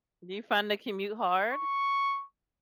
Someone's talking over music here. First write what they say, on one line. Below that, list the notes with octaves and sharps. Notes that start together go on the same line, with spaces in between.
Do you find the commute hard?
C#6